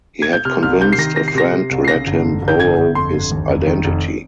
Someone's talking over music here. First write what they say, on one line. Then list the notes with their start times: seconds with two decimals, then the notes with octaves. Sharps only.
He had convinced a friend to let him borrow his identity.
0.22 G#6
0.33 G6
0.45 C3 F6
0.63 C2 F6
0.81 C3 G6
0.92 C7
0.98 D#3 A#6
1.16 C3 A#6
1.28 C7
1.35 C3 A#6
1.52 C3
1.71 C2
1.85 C7
1.88 C#3 A#6
2.07 G1
2.23 F2
2.42 G1
2.48 G6
2.60 G1 G#6
2.78 G1
2.95 F2 C6
3.13 G1
3.32 D#2
3.49 F1
3.67 D#3
3.84 F1